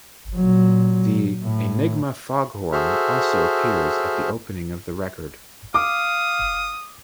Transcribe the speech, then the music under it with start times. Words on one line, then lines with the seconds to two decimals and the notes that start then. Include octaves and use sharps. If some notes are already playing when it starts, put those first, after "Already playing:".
The "Enigma foghorn" also appears at the opening of the record.
0.36 A#2 F#3
1.43 A2
2.72 F#4 G#4 A4 C5 E5 F6
5.74 F5 D6 D#6